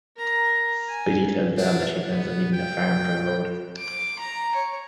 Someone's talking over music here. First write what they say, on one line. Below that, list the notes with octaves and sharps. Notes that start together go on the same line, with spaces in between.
Billie tells Val that she plans on leaving The Farm for the road.
A#4 A#5
G#5
D4
B3
G5
D6
A#5
C#5